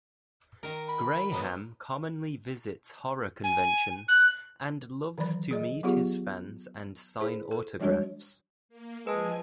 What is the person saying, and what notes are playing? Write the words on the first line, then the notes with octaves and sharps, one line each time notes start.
Graham commonly visits horror conventions and loves to meet his fans and sign autographs.
D#3 A#4
B5
F#3 G#3 B3
G#5
F#6
D#3 E3 F#3 D5 B5
G#4 D5 D#5
F#3 B3 F4 G4 G#4
E4 G#4 C5
A4
E3 G3 G#3 D4 F#4 C#5
A#3
F3 G#3 B4 G#5 A5